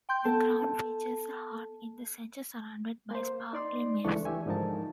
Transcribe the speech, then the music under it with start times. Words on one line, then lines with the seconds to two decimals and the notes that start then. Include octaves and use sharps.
The crown features a heart in the center surrounded by sparkling waves.
0.09 G5 C6 G6
0.25 B3 A4 A5
3.11 A#3 C5
3.53 D#4 D5 C6
4.05 C#2 E3 G#3 A3 D4 C#6
4.25 E3 G4 E5 G#5
4.46 G#2 D3 F3 D#4 A#4 A5